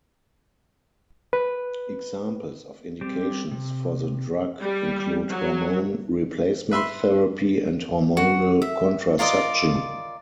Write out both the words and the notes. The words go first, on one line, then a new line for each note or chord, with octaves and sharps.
Examples of indications for the drug include hormone replacement therapy and hormonal contraception.
B4
G3 C4 G4
C3
G3
F#3
B4 E5 B5 C6
F#4
E5
F4 A#4 D5 D#5